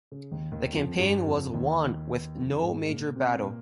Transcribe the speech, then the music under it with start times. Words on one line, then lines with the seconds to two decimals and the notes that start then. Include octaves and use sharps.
The campaign was won with no major battle.
0.12 C#3
0.32 D#2 D#3
0.52 D#2 D#3
0.72 F2 F3
0.99 G2 G3
1.26 F2 F3
1.53 D#2 D#3
2.35 F2 F3
2.62 G#2 G#3
2.89 A#2 A#3
3.16 C3 C4
3.43 A#2 A#3